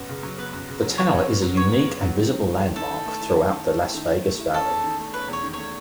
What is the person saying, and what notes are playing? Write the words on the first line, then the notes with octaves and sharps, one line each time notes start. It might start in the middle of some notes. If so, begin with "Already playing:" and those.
The tower is a unique and visible landmark throughout the Las Vegas Valley.
Already playing: F#2 B3
C#3
F#3
B3 B4
F#2
C#3
F#3
B3 C#5
F#2
C#3
F#3
B3 C#5
F#2
C#3
F#3
D#3
D#3
A3
E4
D#3 A4
D#3
A3
E4
D#3
D#3
A3
E4
D#3
D#3
A3
E4
C#4 A4
E2
D#3
A3
C#4 B4
E2 C#5
D#3
A3 C#5